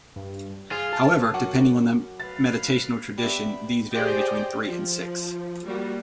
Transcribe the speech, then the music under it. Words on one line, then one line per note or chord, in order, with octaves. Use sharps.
However, depending on the meditational tradition, these vary between three and six.
G2
F4 G#4
A5
F#2 F#4 F#5 D6
B4 F5 A6
B3 D4 G4 E5 B5
G4 G#4 C5 D5 D#5 G5
F3
G3 A#3 F#4